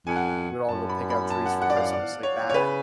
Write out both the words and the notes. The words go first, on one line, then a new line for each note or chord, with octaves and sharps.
we would all go pick out trees for Christmas, like, that
F2 G#5
F#5
G#5
F#2 A5
B5
B5
A5
F#5
F#5
D5
F5
D5
C#5
C#5
C#3 B4